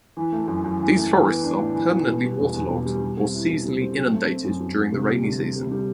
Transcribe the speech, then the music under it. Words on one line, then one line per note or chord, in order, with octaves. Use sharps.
These forests are permanently waterlogged or seasonally inundated during the rainy season.
E3
A3
F#2
F#2
E3
A3
E3
B3
D4
A2
E3
B3
B2
G3
E2
E2
B2
G3
G3
C4
E4
B2
G3
C4
F#3
A3
C4
F#2
F#3
A3
C3
G3
D2
D2
C3
G3